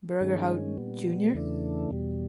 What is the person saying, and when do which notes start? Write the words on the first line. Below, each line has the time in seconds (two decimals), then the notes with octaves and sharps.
Burgerhout jr.
0.21 G2 D#3 G#3 C#4
0.78 A#2 G3 B3
1.34 E2 C#3 E3 A3 D4
1.91 E2 B2 G3